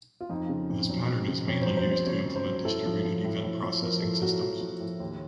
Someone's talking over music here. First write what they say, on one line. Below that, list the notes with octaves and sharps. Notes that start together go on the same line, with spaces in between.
This pattern is mainly used to implement distributed event processing systems.
F4
F2 D#4
C#3
F2
F#3
F2
C#3
F2 C#5
F#3 C5
C5
F2 C5
C#3 C#5
F2
C5
F#3
A2 A4
F3
F3
A2
A2
F3
F3 A#4
A2 A4
A2 F#4
F3 F#4
F3
A2
D#2